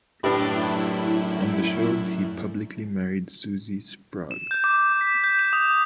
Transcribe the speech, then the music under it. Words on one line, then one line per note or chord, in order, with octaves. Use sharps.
On the show, he publicly married Susie Sprague.
F#2 A2 D4 E4 G4 B4 B5
E7
G6
D6
B6
G6
E7
D#6